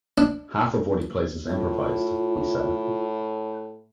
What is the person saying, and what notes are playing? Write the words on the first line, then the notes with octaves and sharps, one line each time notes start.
Half of what he plays is improvised, he said.
D4
A2 F4